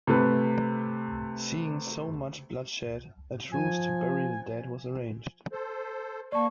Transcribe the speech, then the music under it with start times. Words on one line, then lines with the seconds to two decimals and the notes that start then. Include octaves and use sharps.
Seeing so much blood shed, a truce to bury the dead was arranged.
0.07 C3 A3 B4
3.52 F3 G#5
5.52 A4 C5
6.32 A#3 D5 A5 C#6